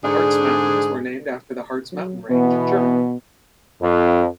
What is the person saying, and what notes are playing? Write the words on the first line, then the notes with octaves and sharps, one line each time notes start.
The Hartz Mountains were named after the Harz mountain range in Germany.
G#2 D3 D4 G#4
F#3
B2 E3 B3
F2